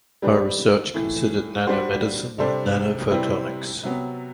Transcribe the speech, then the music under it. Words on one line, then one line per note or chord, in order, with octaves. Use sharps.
Her research considered nanomedicine and nanophotonics.
G3 D4 G4 B4
A2 E3 A3
G3 D4 F#4 C5
C3 G3 D4 A4 C5
C3 G3 C4 E4 B4
C3 F#3 B3